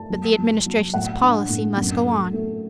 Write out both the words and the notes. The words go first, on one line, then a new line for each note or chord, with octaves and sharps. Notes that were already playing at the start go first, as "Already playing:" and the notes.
But the Administration's policy must go on.
Already playing: A3 A5
F#3
F#3
F#3
A2 F#5
D4
A2
F#2
A3
A3